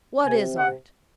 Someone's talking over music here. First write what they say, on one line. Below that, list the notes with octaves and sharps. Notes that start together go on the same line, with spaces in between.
What is Art?'
C3 G#5
F#5